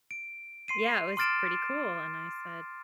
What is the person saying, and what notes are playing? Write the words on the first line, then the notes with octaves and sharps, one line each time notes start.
Yeah. It was pretty cool, and I said,
D7
C6 C7 D#7
C6 D6 F6 A6 D7 E7